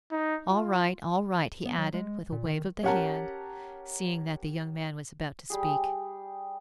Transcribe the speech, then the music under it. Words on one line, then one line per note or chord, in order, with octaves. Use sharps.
"All right, all right!" he added, with a wave of the hand, seeing that the young man was about to speak.
D#4
F4
B3
F#3
G#3
A#2
D#3
C#4 G4 A#4 F#5 A5 A#5
G3 G4 G#4